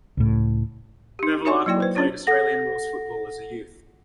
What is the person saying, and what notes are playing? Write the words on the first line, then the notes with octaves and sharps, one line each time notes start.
Bevilaqua played Australian rules football as a youth.
C#2 A2
D#4 G4
D#4 F#4 C#5 E5 G#5 C#6
F#3 A#3 E4 D5 G5
B4 C5
C#4 D4 F4 C#5
A4 F#5 A#6